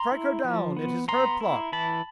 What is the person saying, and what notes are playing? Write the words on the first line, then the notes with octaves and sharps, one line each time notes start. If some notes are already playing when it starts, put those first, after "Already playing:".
Strike her down; it is her plot.
Already playing: A#5 C6
E4
F3
B3
B3 A#5 C6
E4
E3 A5 B5